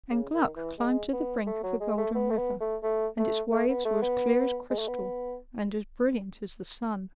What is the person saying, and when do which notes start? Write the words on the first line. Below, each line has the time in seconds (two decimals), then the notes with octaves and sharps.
And Gluck climbed to the brink of the Golden River, and its waves were as clear as crystal and as brilliant as the sun.
0.11 C#3
0.34 D#3
0.56 E3
0.79 G#3
1.13 B3
1.47 A3
1.63 F#3
1.81 G#3
1.98 A3
2.15 B3
2.30 A3
2.37 B3
2.61 A3
2.83 A3
3.18 A3
3.52 A3
3.69 B3
3.85 A3
4.02 B3
4.70 G#3
4.79 A3
4.88 B3